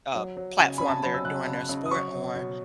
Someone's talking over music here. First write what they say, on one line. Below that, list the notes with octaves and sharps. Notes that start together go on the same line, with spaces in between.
uh, platform they're doing their sport on.
F#3
F#3
C#3 G#5
C#3 B5
A5
F#3 B5
E6
F#3 F#6
C#3
C#3
D#6
F#3 C#6
F#3
B2